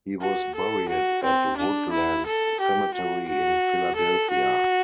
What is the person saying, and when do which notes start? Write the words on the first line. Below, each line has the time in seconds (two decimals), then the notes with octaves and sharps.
He was buried at Woodlands Cemetery in Philadelphia.
0.21 F#4
0.55 A4
0.89 F#4
1.24 C4
1.57 D4
1.92 E4
2.26 A4
2.60 G4
2.94 F#4
3.28 F#4
3.96 A4
4.30 F#4